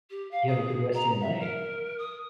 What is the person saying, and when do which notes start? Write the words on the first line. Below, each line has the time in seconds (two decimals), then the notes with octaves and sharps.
You have a good rest of your night.
0.10 G4
0.31 F5
0.47 G#4
0.95 A#5
1.21 E5
1.39 A#4
1.98 D#6